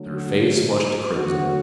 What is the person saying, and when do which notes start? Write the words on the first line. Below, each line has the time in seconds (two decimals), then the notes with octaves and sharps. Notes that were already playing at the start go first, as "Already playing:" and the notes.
Her face flushed to crimson.
Already playing: D3 F#3 A3
0.14 F#4
1.15 D3 F#3 A3 F#4